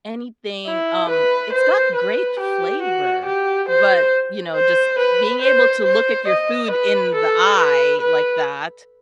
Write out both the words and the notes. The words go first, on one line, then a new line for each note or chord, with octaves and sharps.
anything, um, it's got great flavor, but, you know, just being able to look at your food in the eye like that,
E4
B4
C5
B4
G4
F#4
G4
C5
C5
B4
C5
C5
D#5
B4
A4
B4
B4